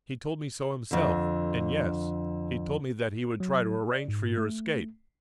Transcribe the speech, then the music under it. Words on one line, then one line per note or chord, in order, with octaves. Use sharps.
He told me so himself, and--yes, he told me that he would try to arrange for your escape.
F2 D3
F#3
D5
G#2
A3